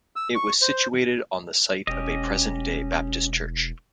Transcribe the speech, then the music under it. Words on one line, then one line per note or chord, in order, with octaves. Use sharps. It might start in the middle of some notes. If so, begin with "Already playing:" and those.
It was situated on the site of a present-day Baptist church.
E6
C#6
C5
E1 C#4 G4 D#5